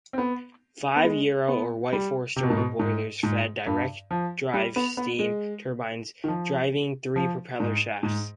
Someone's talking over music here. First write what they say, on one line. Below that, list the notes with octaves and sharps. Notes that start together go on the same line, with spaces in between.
Five Yarrow or White-Forster boilers fed direct-drive steam turbines driving three propeller shafts.
C4
B3
B3
G#3
B3
G3
C3
B2
G#2
B2
G#2
G#2
G2
F3
G3
B3
B3
G#3
D#3
F3
F3
G#2
G#2